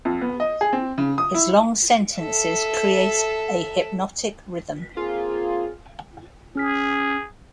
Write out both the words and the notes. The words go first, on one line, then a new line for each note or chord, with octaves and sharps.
His long sentences create a hypnotic rhythm.
F2
B3
D#5
G#4
C4
C#3
D#6
E4
A4 E5
A#3 C4 F4 G#4
C#4 G#4 F6 B6